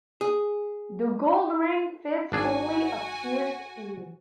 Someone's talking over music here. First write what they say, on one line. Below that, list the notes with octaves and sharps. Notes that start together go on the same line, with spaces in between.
The gold ring fits only a pierced ear.
G#4
G#1 D4 F#4 G#4 G#5